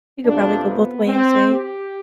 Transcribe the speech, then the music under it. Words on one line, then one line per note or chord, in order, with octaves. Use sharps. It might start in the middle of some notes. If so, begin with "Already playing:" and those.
You could probably go both ways, right?
F2 C3 F3 B3 D4
B3
C4
G4